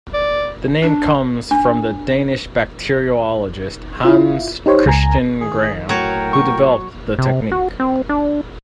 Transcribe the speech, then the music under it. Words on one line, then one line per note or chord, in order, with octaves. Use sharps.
The name comes from the Danish bacteriologist Hans Christian Gram, who developed the technique.
D5
D4
D4
E4 F4
D#4 G4 C5 C#5
C#2 G#5 A#5
D#3 G#4
A2 F#3 F#4 A#4 C#5 G5
C#6
C3
F#4
C4
D4